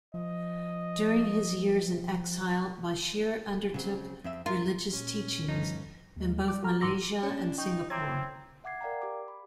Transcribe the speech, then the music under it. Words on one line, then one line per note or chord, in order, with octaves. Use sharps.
During his years in exile Bashir undertook religious teachings in both Malaysia and Singapore.
F3 D#5
C#3 F#3 C4
F2 C4 E5
F4 A#4
A#2 C#4
D2 G2 F3 D#4
D#2 G#3
G3 D6
F#4 A4 A#5 F6
G#2 E3 C6 D6 E6 A#6
C#4 D4 C#5
D#4 G5 C#6 G6
C4 E4 C#5 A#5 D6 G#6
E5 F#5 D6 G#6 C7
A#4 D5 F5 G5 A#5
G4 D6
B5